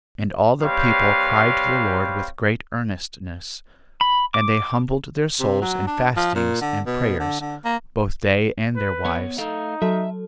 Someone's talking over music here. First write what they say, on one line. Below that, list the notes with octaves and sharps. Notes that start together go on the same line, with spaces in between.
And all the people cried to the Lord with great earnestness, and they humbled their souls in fastings, and prayers, both they and their wives.
G3 C4 B4 C#5 F5
B5
D6
C3
F#3
D4
F3
A#2
D3
B2
D3
D3
A#3
B4
B3 C#5
A3 D#4 A4 F5
F#3 A4 E5